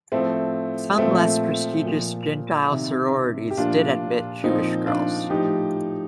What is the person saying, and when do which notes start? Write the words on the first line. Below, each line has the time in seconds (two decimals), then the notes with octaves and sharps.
Some less prestigious gentile sororities did admit Jewish girls.
0.12 A2 F3 A3 C4
0.98 A#2 F3 A3 C4
1.84 A#2 F3
2.71 C3 D#3
3.51 G4
3.57 A#2 F3 D4 F4
4.44 A#2 F3 C4 D#4
4.87 D4 F4
5.30 A2 F3 D#4 G4